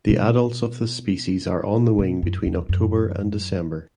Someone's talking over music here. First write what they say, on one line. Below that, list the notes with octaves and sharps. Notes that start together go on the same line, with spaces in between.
The adults of this species are on the wing between October and December.
B2
B2
F#2
E2
F#2